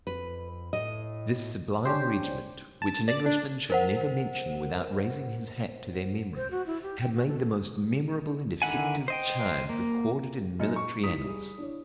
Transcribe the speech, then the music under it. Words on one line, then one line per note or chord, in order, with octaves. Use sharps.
This sublime regiment, which an Englishman should never mention without raising his hat to their memory, had made the most memorable and effective charge recorded in military annals.
F2 B4
A2 D#5
C#4 D4 G4 C5
A5
D5
D4
A#4 C5 F#5
C5
F#4
E4
G4
G5
F#4
A4
A4
D3 D#3 E4 F#5 G#5
C5 D#5 G5
A#3
F#2 A#2 D#4 F6 C#7
C#6
D#4 E4 G4 D#6 B6
G3 G#4
D4 E4 C#5